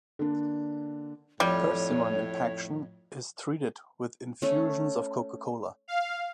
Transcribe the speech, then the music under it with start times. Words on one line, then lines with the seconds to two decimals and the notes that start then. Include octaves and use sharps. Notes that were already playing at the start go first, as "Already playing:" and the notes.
Persimmon impaction is treated with infusions of Coca-Cola.
0.19 D3 A#3 D4
1.40 F2 A2 G3 C#5
4.42 A3 C#4
5.88 F5